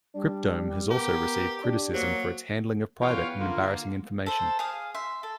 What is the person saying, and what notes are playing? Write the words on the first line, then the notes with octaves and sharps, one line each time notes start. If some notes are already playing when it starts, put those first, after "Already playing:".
Cryptome has also received criticism for its handling of private and embarrassing information.
G3 D4
B3 G4 A#4
D4 G4
F#3 A#3 C5
E2 F4 B4 C#5 F5 G5
D3 A#3 F4
A4 C5
G#4 F5 D#6
E5 C6
A4